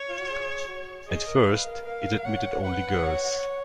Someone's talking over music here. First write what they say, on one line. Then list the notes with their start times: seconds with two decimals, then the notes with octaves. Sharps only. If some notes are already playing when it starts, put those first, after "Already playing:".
At first, it admitted only girls.
Already playing: C#5
0.09 F4
0.19 F#4
0.29 G#4
0.68 F#4
1.08 G#4 D#5
1.27 A#4
1.46 B4 F5
1.65 A#4
1.85 A#4 F5
2.24 C#5 F#5
2.63 B4 F#5
3.03 C#5